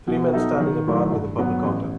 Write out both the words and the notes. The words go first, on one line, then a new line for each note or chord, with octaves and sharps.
Three men stand in a bar with a purple counter.
B2
G3 D#4 A4 E5
D#3
F#3 A3 E4
G2
F#3 B3
A1